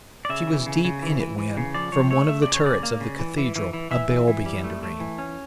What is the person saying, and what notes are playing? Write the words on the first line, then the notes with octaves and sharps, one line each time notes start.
She was deep in it when, from one of the turrets of the Cathedral, a bell began to ring.
D5
C#3 E5
E3
C#3
C#3
E3
E3
E3
C#3
F3 D5
F3 C#5
A3 C#5
A3 E5
D5
C#3
C#5
C#3 D5
A#3
C#3
E3
E3
E3
E3
E3 E5
E3
E3
G3
A3
A3
E3
C#4